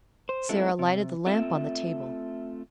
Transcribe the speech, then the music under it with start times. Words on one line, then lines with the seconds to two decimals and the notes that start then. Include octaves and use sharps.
Sara lighted the lamp on the table.
0.29 C5
0.49 G#3 C4 D#4 E4 F#4 A4
0.79 C3
1.26 A3 C4 F4 E5